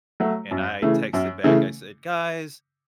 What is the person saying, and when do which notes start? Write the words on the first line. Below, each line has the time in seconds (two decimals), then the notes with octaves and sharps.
And I texted back, I said, “Guys"
0.20 F#3 A3
0.51 F#2
0.82 C#3 E3 A3
1.13 F#2
1.44 C#3 E3 A3